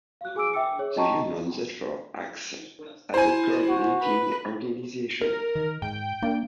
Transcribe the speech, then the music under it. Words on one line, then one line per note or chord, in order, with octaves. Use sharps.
The union therefore acts as a coordinating organization.
F5 F#6
F#4 G#4 G#5 D6 E6 D7
E5 G5 D6 E6 C#7
G#4 C#5
D#5 G5 A5 A#5 C#6
E4 C5 G#5
F#4
B4
A#4
D#3
G#2 G5
A#3 D4